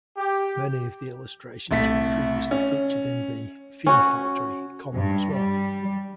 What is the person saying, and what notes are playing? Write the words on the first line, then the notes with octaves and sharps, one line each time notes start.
Many of the illustrations were previously featured in the "Fiend Factory" column as well.
G4
C2 A3 B6
C#4
C#4 F#4
G2
G3